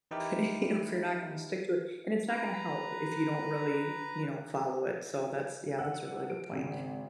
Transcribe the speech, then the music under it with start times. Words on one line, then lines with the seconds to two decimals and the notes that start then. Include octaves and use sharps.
you know, if you're not gonna stick to it, and it's not gonna help if you don't really, you know, follow it, so that's yeah, that's a really good point.
0.11 E3 D#4 E4 G4 A#4
2.28 B4 A#5
5.78 F#5 E6
6.30 D7
6.52 G#1 C#3